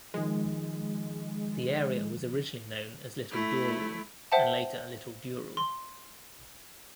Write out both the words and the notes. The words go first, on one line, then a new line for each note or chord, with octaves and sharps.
The area was originally known as Little Dooral and later Little Dural.
D#3 F3 G#3
A3 E4
C5 E5 F#5 G5 A5
C6